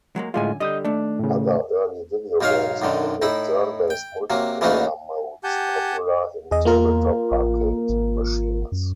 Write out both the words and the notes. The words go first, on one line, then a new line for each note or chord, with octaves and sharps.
Other early video games included turn-based multiplayer modes, popular in tabletop arcade machines.
F#3 G#3 A#3
F#2 A2 D3 G#3 F4 G#5
D3 G3 D#5 D#6 G6
D#2 A3 D4
A2 C#3
B1 G#2 D#4 A#4 C#5 F5
B1 F#2 D3 D#3
A2 D#4 E4 B5
G5
C3 F#3 A#3
C#3 E3 F#3 A3 A#3 D#4
G4 F#5 G#5 A5 G6
E2 G#4 D#5
A#3 F4 A#4
A1
G#1
F#2